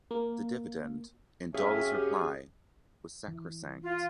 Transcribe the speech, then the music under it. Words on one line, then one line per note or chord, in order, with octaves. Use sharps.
The dividend, in Doyle's reply, was sacrosanct.
A#3
F#2 C3 C#4 G#4 E5 F5
G4
E3
F4